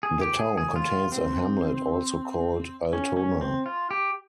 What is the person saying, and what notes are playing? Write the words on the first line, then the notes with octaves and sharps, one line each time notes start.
The town contains a hamlet also called Altona.
G#4
G4
G#4
G#4
F4
C4
C#4
C#4
C4
F4
G4